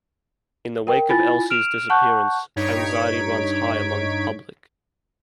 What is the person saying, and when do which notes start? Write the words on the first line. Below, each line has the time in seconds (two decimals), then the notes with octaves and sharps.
In the wake of Elsie's disappearance, anxiety runs high among the public.
0.87 A#4 G5
1.09 E4 F4 G#5 B5 A6
1.50 F6 D7 E7 F7
1.90 F#5 A5 C#6 F#6 G6
2.56 G2 D#4 C#5 G#6 B6 D7